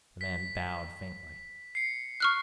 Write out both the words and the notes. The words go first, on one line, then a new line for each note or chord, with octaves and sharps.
The man bowed faintly.
B6
C7 C#7
C#6 F6 F#6